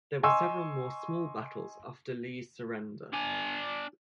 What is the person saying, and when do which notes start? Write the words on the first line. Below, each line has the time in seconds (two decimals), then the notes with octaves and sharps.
There were several more small battles after Lee's surrender.
0.23 D#5 G#5 C6 C#6 E6
3.13 D4 G#5